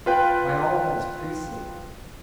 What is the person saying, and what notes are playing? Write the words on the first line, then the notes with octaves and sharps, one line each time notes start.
By all that is priestly!
F4 B4 G5